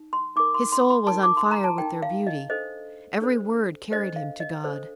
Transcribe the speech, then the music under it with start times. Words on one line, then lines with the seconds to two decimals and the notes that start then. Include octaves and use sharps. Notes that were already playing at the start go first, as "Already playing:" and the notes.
His soul was on fire with their beauty; every word carried him to God.
Already playing: D#4
0.13 C6
0.36 D#4 D6
0.40 A#4
0.54 C6
0.72 C6
0.90 C6
1.07 D#4 A#4 A5
1.23 D6
1.37 C6
1.51 A#5
1.64 A5
1.78 D#4 A#4 G5
2.02 F5
2.27 D#5
2.50 D4 A4 C5 D#5
3.21 D4 A4 C5
3.92 D4 A4 C5 D#5
4.16 F5
4.40 D#5
4.64 D4 A4 C5